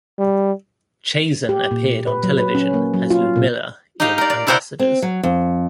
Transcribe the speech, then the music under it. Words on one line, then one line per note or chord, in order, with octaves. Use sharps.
Chazen appeared on television as Ludmilla in "Ambassadors".
G3
G4
A#2
B4
F#3
B4
C#4
A#3
F#3
F4
A#2
D#4 G4 D#5 F5
A#4 D5
D5
E4 A#4 C5 E5 F#5 C6
C4
F#3
F2